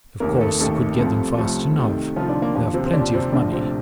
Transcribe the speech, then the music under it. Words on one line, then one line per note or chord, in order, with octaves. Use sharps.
Of course they could get them fast enough, they have plenty of money.
F1 D#2 D#3 A#3 A#4
A3 A4
F1 D#2 D#3 A3 A4
C2 C3 F3
C2 C3 F3 A3 A4
C2 C3 D#3
C2 C3 D#3 F3 F4
D3 D4
A#3
D#2 D3 F3 A#3
C3 C4
C4
D#2 D3 F3 D4
C3 C4
A#1 A2 D3 F3 D4
C3 C4